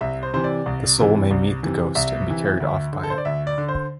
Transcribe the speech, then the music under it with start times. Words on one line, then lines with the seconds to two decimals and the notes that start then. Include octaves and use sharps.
The soul may meet the ghost and be carried off by it.
0.01 C2 E5
0.23 C5
0.34 C3 E3 C5
0.44 D5
0.66 C2
0.98 C3 E3
1.31 C2
1.63 C3 E3
1.95 C2 E5
2.28 C3 E3
2.60 D2
2.93 D3
3.04 A4
3.10 C5
3.18 D5
3.25 D2 E5
3.47 D5
3.58 D3
3.69 C5